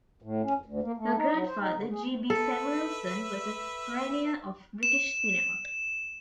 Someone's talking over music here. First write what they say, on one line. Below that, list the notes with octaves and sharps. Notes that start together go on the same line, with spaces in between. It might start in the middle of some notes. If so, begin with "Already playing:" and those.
Her grandfather, G. B. Samuelson, was a pioneer of British cinema.
A2
C#4
F2
D2
A#3
A3
D#4
F#3
C5
D#4
D3
G#4
A4 B4 E5
E7